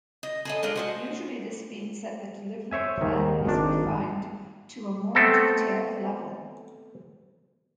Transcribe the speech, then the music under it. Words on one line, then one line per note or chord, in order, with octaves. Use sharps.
Usually this means that the delivery plan is refined to a more detailed level.
D#5
G#4 A4 D#5
G#3 D4 F4 A#4
F#4 C5 D#5
C5 C#5 E5 G#5
D#2 G#2 D#3
G#1 D#3 D4
A3 B3 C4 A4